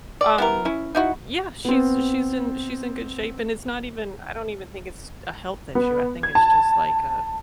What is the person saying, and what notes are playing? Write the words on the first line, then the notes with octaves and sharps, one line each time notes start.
Um, ye yeah, she's she's in she's in good shape and it's not even, I don't even think it's a health issue, I think it's just like uh,
D5
B3 E4 A#4
C#4 E4
D#4 E4 F#4
B3 C4
B3
G#6
A5